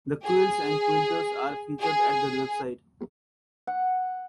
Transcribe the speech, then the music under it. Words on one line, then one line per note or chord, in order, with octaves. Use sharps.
The quilts and quilters are featured at their website.
G#4
G#4
F#5